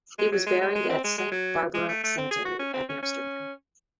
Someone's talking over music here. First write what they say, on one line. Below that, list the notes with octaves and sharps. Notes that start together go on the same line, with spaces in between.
He was buried at the Saint Barbara cemetery at Amsterdam.
G#3
F#3
G#3
G#3
G#3
C4
G#3
G#3
F#3
G#3
A3
A3
C4
G#4
F#4
C#4
C4
C#4
C#4